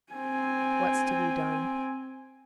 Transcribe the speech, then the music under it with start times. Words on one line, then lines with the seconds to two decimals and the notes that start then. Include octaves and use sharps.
What's to be done?
0.13 C4 G#5